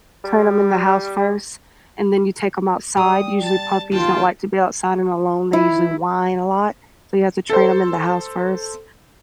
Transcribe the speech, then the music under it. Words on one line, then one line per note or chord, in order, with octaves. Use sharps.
train him in the house first, and then you take 'em outside, usually, puppies don't like to be outside and alone they usually whine a lot, so you have to train 'em in the house first
G3
G3 D#6
A5 A6
D#2 F4 G5 A5
E4
A4 C5